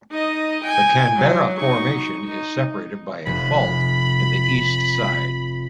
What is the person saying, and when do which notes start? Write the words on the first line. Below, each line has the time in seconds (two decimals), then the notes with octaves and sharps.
The Canberra Formation is separated by a fault in the east side.
0.11 D#4 D#5
0.64 G5 G#5
1.16 F#3
1.57 D#4 C#6
2.28 D#4
3.26 F1 B5